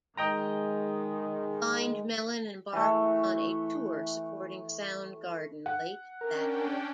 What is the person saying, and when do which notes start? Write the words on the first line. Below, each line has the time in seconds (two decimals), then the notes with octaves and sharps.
Blind Melon embarked upon a tour supporting Soundgarden late that year.
0.17 D#3 G#3 D#5 G5 A#5
2.73 E3 A3
5.66 F#5
6.21 C#4 D4 A#4 G5